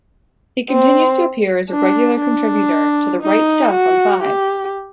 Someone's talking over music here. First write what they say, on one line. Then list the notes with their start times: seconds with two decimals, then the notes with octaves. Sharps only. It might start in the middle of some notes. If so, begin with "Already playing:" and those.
He continues to appear as a regular contributor to "The Wright Stuff" on Five.
0.70 C4
1.71 D4
2.21 D4
3.22 D#4
3.72 F#4
4.23 G4